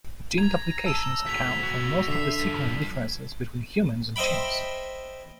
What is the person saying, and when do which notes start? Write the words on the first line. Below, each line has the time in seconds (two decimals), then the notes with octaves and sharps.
Gene duplications account for most of the sequence differences between humans and chimps.
0.38 A#5 G#6
0.86 A5 E6 E7
1.26 D2 G#2 B6 F7
1.62 A#2 F#4
2.08 D3 E5 B6 C7
2.39 G2 F3
4.16 C5 D#5 E5 G5 B5